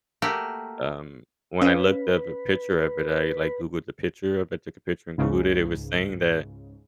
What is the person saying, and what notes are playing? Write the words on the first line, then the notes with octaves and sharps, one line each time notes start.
um, when I looked up a picture of it, I, like, Googled the picture of it, took a picture, and Googled it. It was saying that
A3 A#3 F#4 G4
C#4 B4 F5
C#2 G#2 C#3